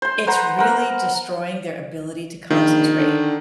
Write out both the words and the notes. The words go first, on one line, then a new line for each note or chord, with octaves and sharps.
it's really destroying their ability to concentrate.
C5 C6
B4 C5 F#5 A#5
B3 A#4 F#5
A#1 D#3
D3